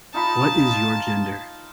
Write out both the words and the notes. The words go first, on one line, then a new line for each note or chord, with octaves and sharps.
What is your gender?
D#4 F4 A5 B5